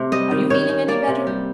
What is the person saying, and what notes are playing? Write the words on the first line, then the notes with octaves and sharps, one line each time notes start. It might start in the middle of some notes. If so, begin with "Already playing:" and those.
Are you feeling any better?'
Already playing: C3 A3
G3 D#5
D#3
D#3 C#5
D#3
A#3 D5
C3
G3